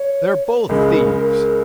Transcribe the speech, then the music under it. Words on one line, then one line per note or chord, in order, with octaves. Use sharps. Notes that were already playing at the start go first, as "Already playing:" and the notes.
"They're both thieves!"
Already playing: C#5
C#2 C#3 G#3 A#4
A#4
A#4